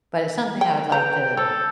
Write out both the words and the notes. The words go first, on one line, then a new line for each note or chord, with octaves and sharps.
but it's something I would like to
G5
B4 G5 A#5
A4 C#5